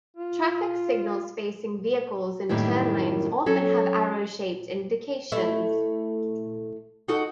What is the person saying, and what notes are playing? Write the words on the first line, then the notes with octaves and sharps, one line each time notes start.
Traffic signals facing vehicles in turn lanes often have arrow-shaped indications.
F4
F#2 A2 D#3 G3 A#3
F#3 C#4 A4
A3 E4
D#4 F#4 A4